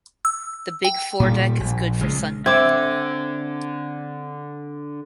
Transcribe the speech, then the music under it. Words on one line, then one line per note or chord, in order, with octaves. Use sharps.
The big foredeck is good for sunbathing.
E6
G5
A#2 G3
A#1
C#3 G#3
D3 C4 E5 D6 G#6